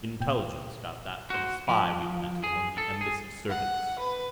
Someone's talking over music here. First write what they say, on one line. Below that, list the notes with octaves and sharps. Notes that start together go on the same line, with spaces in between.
"Intelligence got that from a spy we'd planted among the embassy servants."
A#2 G5
F#4 C5
F3
G#4
A4
G#4
F#5
B4